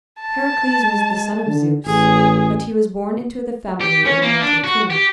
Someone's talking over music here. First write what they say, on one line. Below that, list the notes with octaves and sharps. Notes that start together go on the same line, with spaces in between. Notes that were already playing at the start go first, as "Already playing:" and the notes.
Heracles was the son of Zeus, but he was born into the family of a mortal king.
A5
G#3
D3
A1 G#4
G4
C#4
A#3
D4
F#4
G4